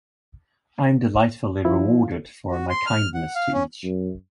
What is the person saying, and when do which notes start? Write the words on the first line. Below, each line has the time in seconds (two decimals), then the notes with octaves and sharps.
I’m delightfully rewarded for my kindness to each!
1.65 F3 E4
2.51 F#4
2.69 C6
2.86 F6
3.14 F#5
3.35 F5
3.53 C#4
3.84 F#2